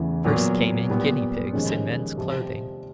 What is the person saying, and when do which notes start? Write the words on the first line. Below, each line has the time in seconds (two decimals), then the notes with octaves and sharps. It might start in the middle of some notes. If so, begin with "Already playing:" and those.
First came in guinea pigs in men's clothing.
Already playing: E2 C#3 E3 A3
0.24 A#2 F#3 B3
0.89 A#2 G3 B3
1.53 F2 C3 D#3 G#3 C#4
2.17 F2 C3 F3